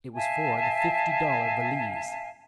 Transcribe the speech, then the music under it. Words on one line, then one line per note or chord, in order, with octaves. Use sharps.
It was for the fifty-dollar valise.
E5 F5 G#5 A5